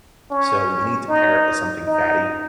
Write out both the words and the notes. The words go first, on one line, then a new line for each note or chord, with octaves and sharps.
So, you need to pair it with something fatty
C#4
D#4
D#4